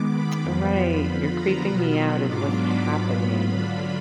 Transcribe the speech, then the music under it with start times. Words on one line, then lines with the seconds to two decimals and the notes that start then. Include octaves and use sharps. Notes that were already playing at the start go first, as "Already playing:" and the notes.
Right. You're creeping me out is what's happening,
Already playing: D#3 G#3 B3 D6
0.08 B5
0.39 F2 F3 B3 F4 B5
0.70 B5
1.01 D3 F3 B3 F4
1.32 A#5
1.63 B2 F#3 B3 F4 B5
1.94 B5
2.24 G#2 F#3 B3 D4 F4 D6
2.56 B5
2.86 G#2 F#3 B3 F4
3.48 D3 F#3 D4 F4 B5